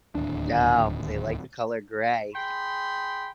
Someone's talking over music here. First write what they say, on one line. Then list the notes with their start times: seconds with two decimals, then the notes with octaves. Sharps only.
No, they like the color gray.
0.15 D1 G#1 D#2 D4
2.34 G#4 G5 B5 C6